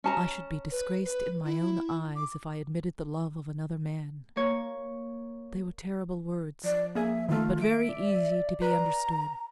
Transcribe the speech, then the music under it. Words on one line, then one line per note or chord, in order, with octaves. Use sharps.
"I should be disgraced in my own eyes if I admitted the love of another man!" They were terrible words, but very easy to be understood.
C#4 A5 A#5
B4
B4
E4
D6
A#3 C#5
F3 D5
A#3 G#4 E5
D#3 A3 F4
E5 D7
D5
B4 A#5